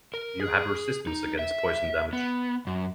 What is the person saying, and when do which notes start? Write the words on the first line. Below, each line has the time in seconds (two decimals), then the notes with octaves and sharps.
You have resistance against poison damage.
0.14 A#4
0.40 G#4
1.07 D#4
1.39 E5
2.13 B3
2.67 F#2